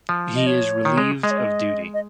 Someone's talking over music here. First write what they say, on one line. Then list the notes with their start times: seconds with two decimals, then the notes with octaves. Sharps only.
He is relieved of duty.
0.09 F3
0.36 D#5
0.47 C#5
0.85 D#3
0.98 G#3
1.23 G#3 D#5
1.31 C#5
1.38 D#5
1.94 D#5